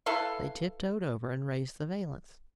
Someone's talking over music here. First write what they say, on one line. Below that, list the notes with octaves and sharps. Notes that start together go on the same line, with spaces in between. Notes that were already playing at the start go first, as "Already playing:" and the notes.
They tiptoed over and raised the valance.
E4 A4 B4 F5